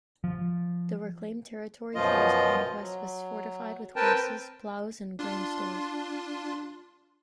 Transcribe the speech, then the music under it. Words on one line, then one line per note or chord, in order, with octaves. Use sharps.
The reclaimed territory through his conquest was fortified with horses, ploughs, and grain stores.
F3
F#2 B2 F3 F4 D#5
F#3
C4 A#4 B4 G5 A5
D4 F4 C6